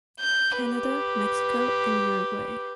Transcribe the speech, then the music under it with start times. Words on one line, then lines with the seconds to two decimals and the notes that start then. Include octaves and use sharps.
Canada, Mexico and Uruguay.
0.20 G6
0.60 G4 B4